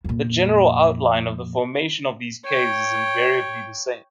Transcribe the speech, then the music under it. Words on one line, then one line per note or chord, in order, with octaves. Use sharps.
The general outline of the formation of these caves is invariably the same.
F2 A#2
C#5 G5